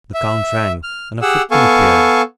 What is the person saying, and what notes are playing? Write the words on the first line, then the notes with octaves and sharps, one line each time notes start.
The count rang, and a footman appeared.
E5
F6
G4 G#4 F#5 E6
B3 A4 F5 G#5 C#6